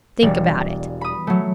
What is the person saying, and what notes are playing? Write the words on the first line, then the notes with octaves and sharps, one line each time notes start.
Think about it.
E1 G3
B5 D#6
F#3 A3